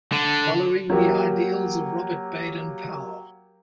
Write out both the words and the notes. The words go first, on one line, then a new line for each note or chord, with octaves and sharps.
Following the ideals of Robert Baden-Powell.
D3
F#3 A#3 G4